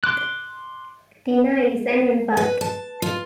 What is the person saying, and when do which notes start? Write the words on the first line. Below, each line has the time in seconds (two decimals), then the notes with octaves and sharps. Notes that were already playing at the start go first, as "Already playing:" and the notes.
Tina is an empath.
0.04 C6 D6 F#6
2.37 B4
2.61 A5
3.02 F4